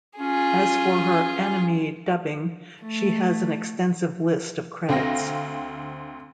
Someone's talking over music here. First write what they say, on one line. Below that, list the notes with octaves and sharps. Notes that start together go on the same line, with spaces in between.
As for her anime dubbing, she has an extensive list of credits.
C#4 F4 G#4
A3
D2 C4 F5 A#6